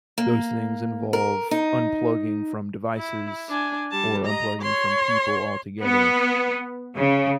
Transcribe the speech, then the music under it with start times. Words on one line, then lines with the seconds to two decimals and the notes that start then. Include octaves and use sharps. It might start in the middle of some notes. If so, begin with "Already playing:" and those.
those things involve, unplugging from devices, or unplugging from people altogether,
0.18 A#3
1.13 A#4
1.51 D#4
2.97 E4
3.49 D4 G#5
3.91 G3 A5
4.25 D#5 A#5
4.62 C#5 C6
5.81 B3
6.97 C#3